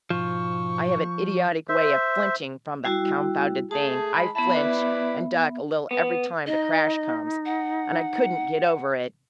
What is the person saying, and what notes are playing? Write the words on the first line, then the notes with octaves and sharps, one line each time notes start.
I have an idiotic way of flinching from the confounded thing--I flinch and duck a little every time the crash comes, and I couldn't get over it.
G#2 B2 F3 C#6
C5 E5
G3 E4 F#4
A3 G#4 A5
G#3 B5
B3 E4 E5 A5 B5
E4 B4 D5
B3
D#4 D#5
F#5